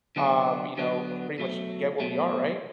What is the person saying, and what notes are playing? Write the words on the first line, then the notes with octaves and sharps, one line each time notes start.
um, you know, pretty much get where we are, right?
D3 F#3 B3 D4 F#4
D3 F#3 B3 D4 F#4
B2 F#3 A3
B2 F#3 A3